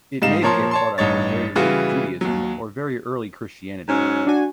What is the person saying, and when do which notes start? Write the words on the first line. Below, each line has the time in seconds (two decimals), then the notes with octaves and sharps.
It may be a product of very late Judaism or very early Christianity.
0.22 G#2 G3 D#4 F5 E7
0.42 A#2 F3 A#4 C#5 A5 C6
0.71 C#5 A5 C6
0.98 A1 G2 D#4 C#5 A6
1.56 C#3 E3 G3 F4 F#4
2.21 D#2 F#3
3.88 G#2 F#3 C#4
4.27 D4 F#4 G#5